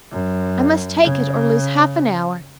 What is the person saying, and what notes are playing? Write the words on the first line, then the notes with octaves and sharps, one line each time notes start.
I must take it or lose half an hour.
F#2
C#3